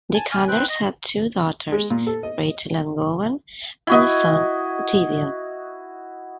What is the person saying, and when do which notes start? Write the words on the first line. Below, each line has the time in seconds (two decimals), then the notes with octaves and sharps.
The Calders had two daughters, Rachel and Gowan, and a son, Gideon.
0.14 G#5 A5
0.32 G#5 F6
0.48 C4 B4 G5 F#6
0.69 D#5 A#6
1.72 G#3
1.90 A#2
2.07 A4
2.23 D#5
3.87 E4 F#4 D#5